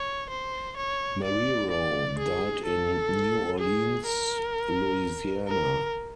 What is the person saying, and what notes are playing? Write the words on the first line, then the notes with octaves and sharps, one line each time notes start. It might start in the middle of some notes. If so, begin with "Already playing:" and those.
Marrero died in New Orleans, Louisiana.
Already playing: C#5
C5
C#5
D5
D5
G#4
A4
G#4
A#4
A#4